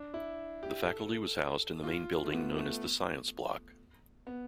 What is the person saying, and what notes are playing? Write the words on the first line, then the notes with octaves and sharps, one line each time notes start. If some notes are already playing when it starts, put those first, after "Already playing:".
The faculty was housed in the main building known as the "Science Block".
Already playing: D4
E4
G4
A4
F4
A3
B3
A3
B3